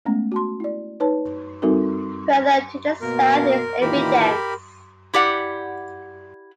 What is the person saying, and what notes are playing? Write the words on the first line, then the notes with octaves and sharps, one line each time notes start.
Further to the south is Epigenes.
G#3 A3 B3 C#4
F#4 A5 C6
E4 D5
D#4 B4 C#5 A5
G3 C4 D#4 F#4 A4 A#4
B2 A#3 A#4
A#2 D#3 E3 G4 A#4 B5
E4 G4 D5 F#5